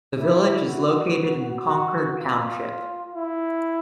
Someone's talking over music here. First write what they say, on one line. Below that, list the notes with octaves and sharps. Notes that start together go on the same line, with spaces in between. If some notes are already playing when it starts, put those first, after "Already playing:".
The village is located in Concord Township.
E4
F#4
F#4
F4
E4